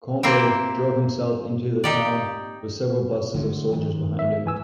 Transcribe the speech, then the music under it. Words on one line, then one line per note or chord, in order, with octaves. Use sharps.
Kombe drove himself into the town with several buses of soldiers behind him.
A#3 C4 E4 G4
D#4 G4 D5
D3 G#3 A3
D#3 F3
E5
E3 G#5 E6